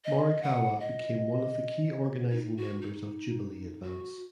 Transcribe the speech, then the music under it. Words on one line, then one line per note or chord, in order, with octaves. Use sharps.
Morikawa became one of the key organizing members of Jubilee Advance.
D#5
F#5
D#5
D#4
F#4
D#4
F#4